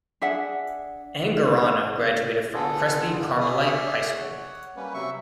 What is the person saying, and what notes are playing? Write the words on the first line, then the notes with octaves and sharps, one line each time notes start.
Angarano graduated from Crespi Carmelite High School.
D4 G#4 E5 F#5
D3 B3 F4 G#4 A4
G2 D#3
G#4 D5 E5 D#6 F6
C#5 F#5
G3 A#3 C#4 B4
C3 F#3 E5 C#6